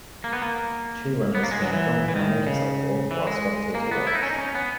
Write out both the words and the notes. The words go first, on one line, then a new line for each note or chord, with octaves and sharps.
Two Runners, being filmed from a motorcycle, while spectator watch.
A#3
B3
A#3
B3
A#3
G#3
F#3
E3
E3
D#3
C#3
E3
G#3
A#3
B3
E4
D#4
C#4
D#4
C#4
B3